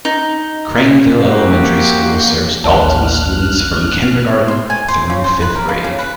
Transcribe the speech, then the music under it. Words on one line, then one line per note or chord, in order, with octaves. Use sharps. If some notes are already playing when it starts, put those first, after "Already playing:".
Craneville Elementary School serves Dalton students from kindergarten through fifth grade.
D#4
A#3 C4 F#4 G4
A1 D#2 A#4 C#5 A5 F6 F#6
C5
G#5
C5
C#3
C5
B4
A#4
F3
C#3
B4